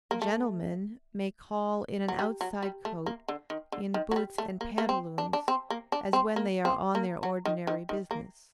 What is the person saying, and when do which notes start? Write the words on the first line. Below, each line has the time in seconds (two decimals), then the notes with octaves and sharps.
Gentlemen may call in an outside coat, in boots and pantaloons, as when they are on their ordinary business.
0.11 A#3
0.22 A3
2.08 F#3
2.19 G3
2.41 F#3
2.63 G3
2.85 A3
3.06 A#3
3.28 D3
3.50 D#3
3.72 D3
3.94 D#3
4.11 F#3
4.16 G3
4.38 A3
4.61 A#3
4.78 A#3
4.89 C4
5.18 D4
5.33 D4
5.48 C4
5.70 A#3
5.92 D4
6.13 C4
6.36 A#3
6.65 C4
6.95 A#3
7.23 F#3
7.45 D#3
7.67 D#3
7.89 D#3
8.11 A#3